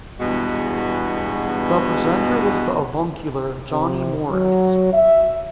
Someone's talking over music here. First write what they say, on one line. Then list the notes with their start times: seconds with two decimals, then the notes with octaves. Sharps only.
The presenter was the avuncular Johnny Morris.
0.20 E2 G2 B2 G#3 F#4
3.69 C3
4.31 F#3
4.93 E5